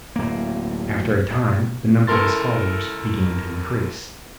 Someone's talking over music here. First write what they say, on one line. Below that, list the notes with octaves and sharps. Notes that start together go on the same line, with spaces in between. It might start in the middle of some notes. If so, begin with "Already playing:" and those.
After a time the number of his followers began to increase.
D1 A#3
C#2 E4 A4 A#4 C6 A6